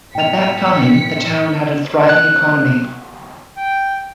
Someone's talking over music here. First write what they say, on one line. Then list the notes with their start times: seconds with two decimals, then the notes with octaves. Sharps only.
At that time the town had a thriving economy.
0.15 A2 G5 B6 C#7 F7
2.09 F#6
3.57 G5